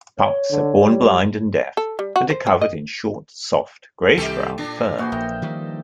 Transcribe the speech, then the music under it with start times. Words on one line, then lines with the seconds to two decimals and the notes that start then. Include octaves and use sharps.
Pups are born blind and deaf, and are covered in short soft grayish-brown fur.
0.18 C#5
0.51 D3
0.82 G3
1.77 A4
1.99 G3
2.16 F#4
2.30 C5
2.47 C4
2.61 D#5
4.18 C2 D#3 G4 A4
4.58 A#2 D4
4.77 F3
4.98 E3 A#3 F#4 G#4 C5
5.12 A#1 A#4 D#5 E5 G5
5.42 D#3 F3 G3